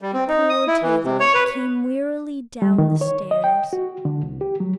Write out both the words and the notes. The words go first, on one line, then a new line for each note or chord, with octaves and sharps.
The poor tailor came wearily down the stairs.
G3
C4
D#4
D#6
E4
E3
C3
C#5
B4
G3
D#3
C#5
D#5
G5
F#4
D3
C2
G4
F#3